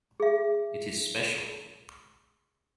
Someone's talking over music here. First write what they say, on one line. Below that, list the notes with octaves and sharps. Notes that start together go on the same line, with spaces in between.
It is special.
G#4 E5